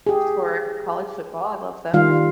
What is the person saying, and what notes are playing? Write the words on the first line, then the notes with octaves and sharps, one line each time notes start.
for college football; I love them.
G4 G#4
D#3 G3 F4 F5